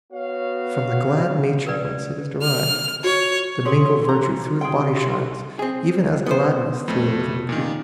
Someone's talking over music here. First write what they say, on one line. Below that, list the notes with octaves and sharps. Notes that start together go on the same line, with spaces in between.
From the glad nature whence it is derived, The mingled virtue through the body shines, Even as gladness through the living pupil.
B3 F#4 C#5 F5
A#4 B4 D5
F6
F#4 C#5
D3 E3 C#4 G#4 A4 C#5 C6
F#4 A#5
C3 G#4 G5 C6
C4 G#4
B3 C5
F2 A3
A#2 D#3